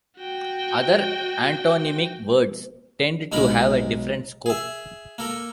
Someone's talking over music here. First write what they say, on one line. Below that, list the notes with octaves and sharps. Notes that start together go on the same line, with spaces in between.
Other antonymic words tend to have a different scope.
F#4 G5
B1 G#3 D#4 A#4 A#5 B5
G#4 E5
A#3 A4 A#4